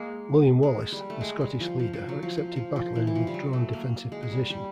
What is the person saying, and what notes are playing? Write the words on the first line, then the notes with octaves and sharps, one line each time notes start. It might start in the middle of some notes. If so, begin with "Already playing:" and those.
William Wallace, the Scottish leader accepted battle in a withdrawn defensive position.
Already playing: G#3 A#3
G#3
G3
A3
G#3
G3
F3
F3
F3
F#3
F3
F3
F3
F3
E3
E3
F3
G3
F#3
A3
A#3
G#3
G#3
G3
G3